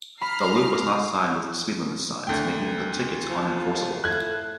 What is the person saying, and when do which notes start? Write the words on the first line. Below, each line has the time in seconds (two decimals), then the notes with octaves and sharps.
The loop was not signed with speed-limit signs, making the tickets unenforceable.
0.21 A#5 B5 F6 C7
2.27 D2 G5
3.29 F3
4.04 A2 F#6 G#6